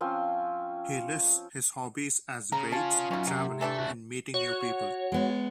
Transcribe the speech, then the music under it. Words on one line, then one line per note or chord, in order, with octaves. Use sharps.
He lists his hobbies as weights, travelling and meeting new people.
F3 C4 C#4 C6
C#3 A#5
C#4 F4 G#4 A5
F#2 C#4 D#4
C3 F#3
E3 A3 D4 A4
C#2 F#4
F#4 C#5
G#3 B3